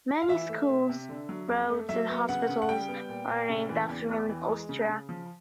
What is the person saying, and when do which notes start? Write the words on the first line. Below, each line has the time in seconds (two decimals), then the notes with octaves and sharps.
Many schools, roads and hospitals are named after him in Austria.
0.22 F5
0.28 E3 E5
0.49 A3
0.69 C3
0.89 C3
1.09 D3
1.29 F#3
1.49 F2
1.69 A3
1.89 F#3 E5
2.09 B3
2.29 C#3 F#5
2.49 C#3
2.62 F#5
2.69 G3 G5
2.88 B3
3.09 A#2
3.29 A#2
3.49 C#3
3.69 E3
3.89 E2
4.09 E2
4.29 E3
4.49 G#3
4.69 C#3
4.89 C#3
5.09 F3